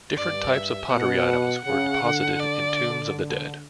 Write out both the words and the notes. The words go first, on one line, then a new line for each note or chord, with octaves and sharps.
Different types of pottery items were deposited in tombs of the dead.
G2 D5
E5
B2 F#5
C#3 F#5
D3
D5